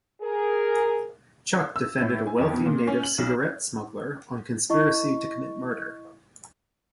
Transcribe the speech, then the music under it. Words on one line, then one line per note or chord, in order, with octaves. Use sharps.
Chuck defended a wealthy Native cigarette smuggler on conspiracy to commit murder.
G#4 A#4
E6
A2
G#5
F2
B2
A#2
C#4
F#7
B1
E4 D#5 C#6